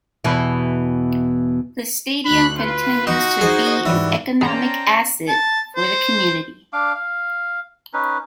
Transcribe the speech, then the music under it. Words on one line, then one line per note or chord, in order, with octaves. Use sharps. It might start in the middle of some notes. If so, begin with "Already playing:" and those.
The Stadium continues to be an economic asset for the community.
E2 B2 E3
D2 B5 F#6
F4 B4
D#4 F#4
D#4 G#4 C5 D#5
G#2 E3 G3
G#3 C#4 C5 D5 G5 A5 A#5
A5
C5
D4 F5 D6
F5
C#4 D#4 B4